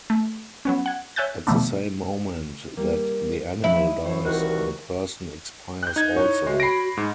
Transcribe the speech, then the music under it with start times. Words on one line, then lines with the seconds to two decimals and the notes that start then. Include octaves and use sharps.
At the same moment that the animal dies the person expires also.
0.10 A3
0.65 F#3 B3 C#4
0.86 F#5 G#6
1.16 C#5 E5 G#5 F#6 G6 A6
1.47 B2 D#3 F3 A3 B3 D4
2.77 G3 A#3
3.64 F3 E4
3.87 D#5
4.05 E3 C5 C#5
4.25 C2 D#3 F#4
5.83 F#6 G6
5.96 D#4 G#6
6.16 E4 C#5
6.47 G#3 A3 F#4
6.60 B5 A#6 C7 D7
6.97 G#2 D#4